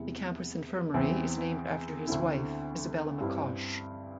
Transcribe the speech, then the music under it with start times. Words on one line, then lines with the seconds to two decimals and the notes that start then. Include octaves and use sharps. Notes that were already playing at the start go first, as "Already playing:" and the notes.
The campus infirmary is named after his wife, Isabella McCosh.
Already playing: E2 C3 G3 E4
0.94 E2 E3 C4 E4
2.07 D2 D3 C4 E4
3.20 G2 G3 C4 E4